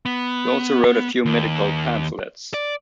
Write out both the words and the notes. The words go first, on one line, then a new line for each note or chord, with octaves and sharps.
He also wrote a few medical pamphlets.
B3
D#2
D5